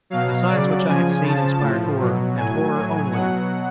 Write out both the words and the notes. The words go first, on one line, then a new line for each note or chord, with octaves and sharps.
The sights which I had seen inspired horror, and horror only.
B2 F#3 F5
C#3 F#3 D5
C#3 F3 G#5
C#3 F3 A5
A2 F3
B2 F#3
A2 F#3 G#5
A2 F#3 G#5
B2 F#3 F#5